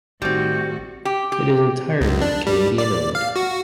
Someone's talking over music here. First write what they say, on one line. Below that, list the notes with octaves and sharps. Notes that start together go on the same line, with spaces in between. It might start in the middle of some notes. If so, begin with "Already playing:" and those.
It is entirely Canadian-owned.
A1 A2 D#3 G3 C4 F#4
G4
G4
C#2
D4
G3
D5
F5
F#4